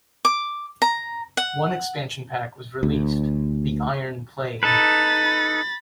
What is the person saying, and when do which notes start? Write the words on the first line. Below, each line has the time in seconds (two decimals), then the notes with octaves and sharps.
One expansion pack was released, "The Iron Plague".
0.25 D6
0.82 A#5
1.37 F#5
2.83 D2
4.63 D#4 A4 B4 B5 A6